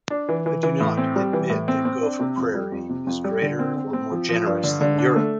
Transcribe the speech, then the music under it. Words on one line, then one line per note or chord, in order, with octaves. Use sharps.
I do not admit that Gopher Prairie is greater or more generous than Europe!
D4
E3
E3
E3
A2
C4
G3
E3
A2
C4
C4
D4
C3
F2
G3
F2
C3
F2
G3
D3
C4
C4
C4
F3
F3
G2
D3
D3
D4
A3